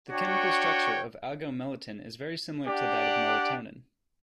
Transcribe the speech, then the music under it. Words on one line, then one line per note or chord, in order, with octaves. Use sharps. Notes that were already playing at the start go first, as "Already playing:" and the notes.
The chemical structure of agomelatine is very similar to that of melatonin.
D4 F#4 C#5 G5
D4 G4 D5 F#5